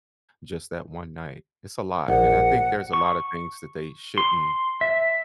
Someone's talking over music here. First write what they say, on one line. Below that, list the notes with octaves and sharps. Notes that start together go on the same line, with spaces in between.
just that one night, it's a lot, and I think there's a lotta things that they shouldn't,
A#1 F#5
C#6
C6
E5